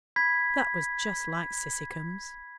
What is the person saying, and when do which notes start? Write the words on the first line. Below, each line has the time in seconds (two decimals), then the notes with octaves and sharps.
That was just like Cissycums.
0.16 B5 G#6 B6